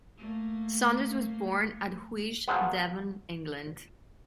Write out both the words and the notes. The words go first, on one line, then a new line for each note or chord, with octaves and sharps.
Saunders was born at Huish, Devon, England.
A3 A#3
F3 F#3 G#3 B3